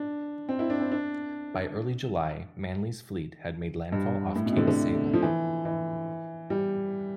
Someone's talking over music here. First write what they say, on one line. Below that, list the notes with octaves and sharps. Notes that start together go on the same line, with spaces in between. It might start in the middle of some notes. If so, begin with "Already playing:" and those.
By early July, Manley's fleet had made landfall off Cape Sable.
Already playing: D4
C4
E4
D4
C4
D4
G2
A2
B2
C3
D3
D3
F3
E3
E3
G3